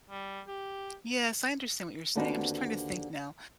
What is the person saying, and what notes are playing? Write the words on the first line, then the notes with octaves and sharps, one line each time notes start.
Yes, I understand what you're saying, I'm just trying to think now.
G3
G4
D#2 D3 C4 D4 F#4 B4